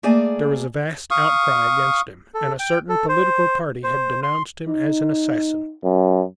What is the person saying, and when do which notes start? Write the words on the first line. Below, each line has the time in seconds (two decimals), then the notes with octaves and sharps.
There was a vast outcry against him, and a certain political party had denounced him as an assassin.
0.03 A3 A#3 G#4 D5 G#5
1.11 F5 C#6 D#6
2.34 A4
2.59 G5
2.89 A4
3.09 C5
3.84 C5
4.23 C6
4.68 D#4
5.84 F#2